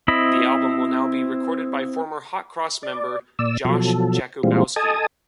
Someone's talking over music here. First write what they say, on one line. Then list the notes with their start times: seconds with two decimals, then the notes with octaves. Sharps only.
The album will now be recorded by former Hot Cross member Josh Jakubowski.
0.08 C4 E4 D#5 B5
2.83 D5
3.39 A#2 D5 E6
3.65 B2 F3 F#3 A4
4.43 A#2 E3 G3 G#3 C4 F4
4.76 A4 D#5 G#5 A5 D#6